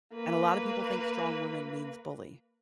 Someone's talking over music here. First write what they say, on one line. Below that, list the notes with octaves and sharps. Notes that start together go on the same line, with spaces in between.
and a lotta people think strong woman means bully.
A#3 B4